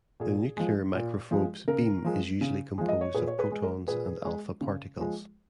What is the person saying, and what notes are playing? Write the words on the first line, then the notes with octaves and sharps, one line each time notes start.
The nuclear microprobe's beam is usually composed of protons and alpha particles.
A#2 G#4
F3 G#3
A#2
F3 G#3
C#3 A#4
F3 G#3
C#3
F3 G#3
D#5
C#5
A#2 G#4 B4
C#5
G#4 B4
G#3
A#4
A#2 G#4 B4
G#3
C#3
F3 G#3